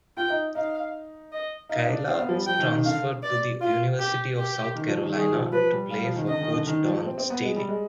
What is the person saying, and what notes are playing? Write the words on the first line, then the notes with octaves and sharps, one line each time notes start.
Kaela transferred to the University of South Carolina to play for Coach Dawn Staley.
F4 G5
D#4
D#4 F5
D#5
D#4 F5
D4
C4 F5
B3
F3
G3
F3 G5
D#3
D#3
D3 F5
D5
F4
G4
G4
D#3
F3
D#3
D#3 G#4
F3
F3 B4
G3
G3 F5
F3
D#3
D3 D#5
D#3
D3
D#3
F3
C4
C4
B3
G#3
G3
G#3